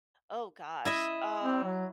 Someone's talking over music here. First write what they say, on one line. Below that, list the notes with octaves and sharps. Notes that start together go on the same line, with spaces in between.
Oh gosh. Um.
E4 D#5 E5
C4
F#3